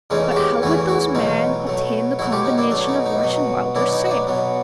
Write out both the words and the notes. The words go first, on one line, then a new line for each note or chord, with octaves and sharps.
"But how would those men obtain the combination of Rush & Wilder's safe?"
E2 C#3 E3 A3 C#4 D#4 F4
F#4
F4 G4
E2 C#3 E3 A3 C#4 E4 F#4
E4 F#4
B2 F#3 A3 D#4 F4
B2 F#3 A3
B2 F#3 A3 E4 F#4
F4 G4
D#4
D4 E4
B2 F#3 A3 D4
D#4
D#4
B2 F#3 B3
B2 F#3 B3 D4 E4
D#4
D#4
D4
B2 F#3 B3